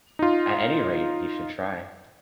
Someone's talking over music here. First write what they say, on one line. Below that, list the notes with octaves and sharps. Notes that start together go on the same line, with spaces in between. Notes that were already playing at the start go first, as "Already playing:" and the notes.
At any rate, he should try.
D#4 F4